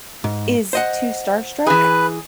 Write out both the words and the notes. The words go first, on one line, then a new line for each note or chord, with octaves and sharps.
is too starstruck
G#2
C5 D#5 F#5
E3 G#4 B4